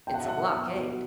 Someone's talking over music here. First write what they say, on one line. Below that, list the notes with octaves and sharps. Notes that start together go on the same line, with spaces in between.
"It's a blockade."
B2 G5
F#5
E5
B2 F#5
B2
B2